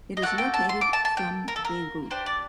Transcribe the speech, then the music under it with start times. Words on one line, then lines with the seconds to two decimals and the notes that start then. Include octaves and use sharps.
It is located from Beirut.
0.17 D#5
0.22 A#3 F#4 A4 F#5
0.38 G5
0.54 A5
0.69 C6
0.81 D6
0.93 A5
1.05 A5
1.17 G5
1.48 A#4
1.56 A4
1.65 A#4
2.10 D4 G4 C5
2.26 D5